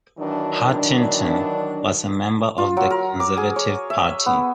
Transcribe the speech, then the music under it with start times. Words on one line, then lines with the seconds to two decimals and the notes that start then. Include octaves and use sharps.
Hartington was a member of the Conservative Party.
0.18 D#3 E3 F#3 D4
2.58 F4
2.77 F#3
2.90 A#4
3.20 D6
3.37 G#4
3.56 C#5
3.90 E5
4.26 B3